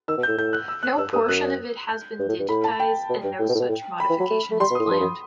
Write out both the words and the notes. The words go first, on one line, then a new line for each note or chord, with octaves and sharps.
No portion of it has been digitized and no such modification is planned.
D#3 E6
B2
A2 G6
A2 G6
F#6
E6
F#6
G2 E6
G2 D#6
E6
F#2 F#6
G6
G2
A2
G2
A2 B5
A5
G5
B2
G2
A2
B2
A2
B2
A2
B5
E3
F#3
A3
A3
G3 C6
B2
A2 D#6
A2
G2
F#2